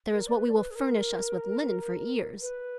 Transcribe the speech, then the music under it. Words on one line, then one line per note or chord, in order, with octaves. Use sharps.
There is what will furnish us with linen for years.
A#4
D5
B4
D5
B4
G#4
A#4
B4